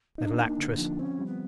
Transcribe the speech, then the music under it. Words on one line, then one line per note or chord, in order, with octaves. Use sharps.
Little actress!
D4 D#4
A#3
D4
D3
D4
F3
C4 C#4
G3
B3